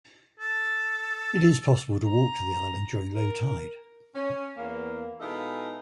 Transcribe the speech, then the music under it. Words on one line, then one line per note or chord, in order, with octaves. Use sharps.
It is possible to walk to the island during low tide.
A4
A#5
A#4
C#4
E2 A#3
B2 G#3 D#4 E4 A4 F5